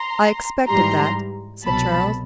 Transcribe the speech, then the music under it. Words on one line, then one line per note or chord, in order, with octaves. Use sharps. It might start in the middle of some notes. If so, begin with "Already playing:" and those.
"I expected that," said Charles.
Already playing: A#5 C6
G#2 E3 G3 A#5 C6
C2 B2 F#3 A5 B5